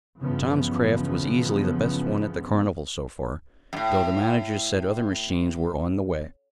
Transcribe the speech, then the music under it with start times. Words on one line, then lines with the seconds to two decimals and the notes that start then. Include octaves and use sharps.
Tom's craft was easily the best one at the carnival, so far, though the managers said other machines were on the way.
0.20 G2 C#3 E3 F3 B3
3.73 F#2 A2